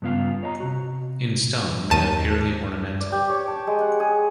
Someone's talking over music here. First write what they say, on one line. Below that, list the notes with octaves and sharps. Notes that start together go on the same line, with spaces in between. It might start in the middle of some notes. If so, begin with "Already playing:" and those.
In stone they are purely ornamental.
G2 C#3 B3 F4 F5
C#5 D#5 A5 A#5
C3 F#4
D#2 A5 D#7
D5
G4
C#5
A5
G#3
F#5
G#4